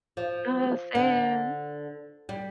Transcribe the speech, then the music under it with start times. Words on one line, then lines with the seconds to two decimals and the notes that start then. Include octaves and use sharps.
Uh, same.
0.17 F3
0.95 D3
2.29 G3